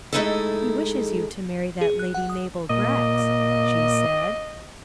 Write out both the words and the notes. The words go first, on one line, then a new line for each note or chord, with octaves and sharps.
"He wishes you to marry that Lady Mabel Grex," she said.
G#3 A3 D#4 E4 G#4 A4
G#4
F#6
F#5
D#6
A#2 D#5